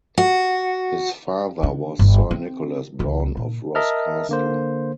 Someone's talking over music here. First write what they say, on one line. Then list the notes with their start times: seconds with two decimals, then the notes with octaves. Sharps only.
His father was Sir Nicholas Browne of Ross Castle.
0.18 F#4
1.63 D4
1.99 G1
2.31 C4
3.00 C#2
3.37 A#2
3.75 A#4 D#5 E5 A5 F6
4.29 D3 A#3 C5